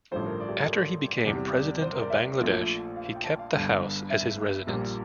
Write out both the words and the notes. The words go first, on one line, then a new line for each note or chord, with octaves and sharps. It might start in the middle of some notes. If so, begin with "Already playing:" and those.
After he became President of Bangladesh, he kept the house as his residence.
A1 G2 D3 F3 A3 C5
A#4
D5
G4
A4
A#4
E2 C3 G3
D5
C5
A#4
D5
E5
A#1 A#2 F3 A3
F5
G5
A5
F5
G1 G2 D3
E5
A#1 A#2 G3 A#3